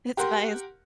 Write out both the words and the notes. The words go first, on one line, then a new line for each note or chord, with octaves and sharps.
it's nice.
G4 A#4 F#5 C6